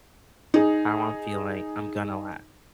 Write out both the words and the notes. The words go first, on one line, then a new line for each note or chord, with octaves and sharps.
how I'm feeling; I'm gonna laugh.
D#4 G#4